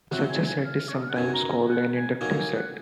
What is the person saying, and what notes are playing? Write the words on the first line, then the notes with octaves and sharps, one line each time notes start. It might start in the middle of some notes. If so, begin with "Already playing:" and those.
Such a set is sometimes called an inductive set.
C3 F#3 C4 F#5
G#5
G#5
F5
C#5
D#5
F5
F#5
F#2 D#3 F#3 G#5
A#5
A#5
F#5
G#5
D#3 F#3 A#3 D#4 G#5
G#5
F#5